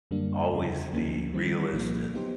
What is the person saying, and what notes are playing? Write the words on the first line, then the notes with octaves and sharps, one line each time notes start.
always the realist and
F#2 D3 G3 A#3 D4
E2 C#3 F#3
D2 D3 F3 A#3 C#4
D#3 G3 C4
C2 A#2 F3 A#3 D#4
F#3 B3 D#4 G4 C5